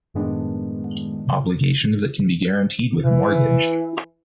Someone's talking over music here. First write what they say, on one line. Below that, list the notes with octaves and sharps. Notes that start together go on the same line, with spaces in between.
Obligations that can be guaranteed with a mortgage.
F#2 A2 D#3 G#3 B3 D4
E3